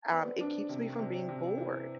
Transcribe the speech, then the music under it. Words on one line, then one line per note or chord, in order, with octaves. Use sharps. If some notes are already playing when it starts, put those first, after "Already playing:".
um, it keeps me from being bored.
D5
B3 C5
D4
C3
C3 C5
C3
C5
E3